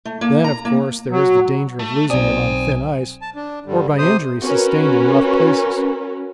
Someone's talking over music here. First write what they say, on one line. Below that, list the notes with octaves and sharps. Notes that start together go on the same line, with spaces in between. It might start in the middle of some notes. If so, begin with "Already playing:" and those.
Then, of course, there is the danger of losing them on thin ice or by injury sustained in rough places.
A3
A#3
A#5
A#3
F#3
A3
B1 C4 D5 F#5 G#5 D#6
A5
D4
G2 D3 G3
C3 C5 D#6
C#4 F#4 A#4 B4